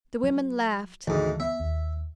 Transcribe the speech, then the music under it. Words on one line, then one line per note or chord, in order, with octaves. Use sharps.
The women laughed.
F#3
D2 G#2 D#3 E3 G#3
B3 E5
D#2